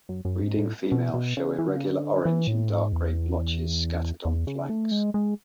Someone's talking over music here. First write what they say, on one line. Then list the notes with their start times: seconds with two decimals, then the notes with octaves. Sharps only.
Breeding females show irregular orange and dark grey blotches scattered on flanks.
0.09 F#2
0.25 F#2
0.42 G#2
0.58 A2
0.92 B2
1.14 B2
1.37 C#3
1.59 E3
1.68 D3
1.76 C#3
1.86 D3
2.25 E3
2.47 A2
2.70 G#2
2.92 E2
4.25 E2
4.47 C#3
4.70 A3
4.91 G#3
5.14 G#3